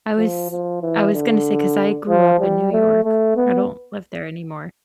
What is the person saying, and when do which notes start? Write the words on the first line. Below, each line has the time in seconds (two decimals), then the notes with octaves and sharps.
I was I was gonna say 'cause I grew up in New York. I don't live there anymore,
0.18 F3
0.50 F3
0.82 E3
1.13 D3
2.09 F3
2.40 G3
2.72 A3
3.04 A3
3.36 B3